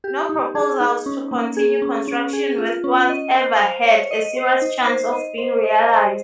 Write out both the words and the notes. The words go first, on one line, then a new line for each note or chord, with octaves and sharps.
No proposals to continue construction westwards ever had a serious chance of being realised.
G4
D#4
G#4
D#4
C#4
A#3
G#4
C#4
C#4
G#4
F4
C#4
D#5
C5
F5
C#5
D#5
C5
D#4
C5
D#5
C5
D#5
C5